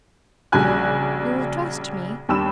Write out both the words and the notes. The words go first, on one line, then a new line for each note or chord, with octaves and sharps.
You'll trust me?
A#1 C#3 G3 F#4 G#5 F#6
D#2 G3 D4 B5 E6 E7